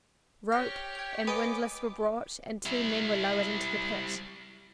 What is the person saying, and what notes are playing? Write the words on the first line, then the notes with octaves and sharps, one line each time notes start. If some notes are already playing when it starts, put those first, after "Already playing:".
Rope and windlass were brought and two men were lowered into the pit.
G4 C#5 G5 F6 G6 A#6
G#6 F7
B3 D#5 G#5 D6
G3 E4